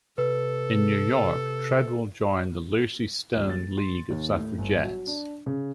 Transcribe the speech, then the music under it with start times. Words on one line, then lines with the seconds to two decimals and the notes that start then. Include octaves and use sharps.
In New York, Treadwell joined the Lucy Stone League of suffragettes.
0.18 C3 A4 B4
3.37 D#1
3.49 A6
3.78 C6
4.10 D#2
4.36 A2
4.58 G1
4.83 F#3
5.07 D4
5.46 C#3